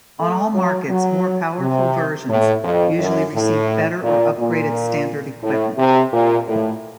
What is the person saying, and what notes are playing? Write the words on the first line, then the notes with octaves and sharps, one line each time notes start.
On all markets more powerful versions usually received better or upgraded standard equipment.
A3
F#3
F#3
C3
A2
F2
F#2
A2
A#2
A#2
A2
C3
A#2
A2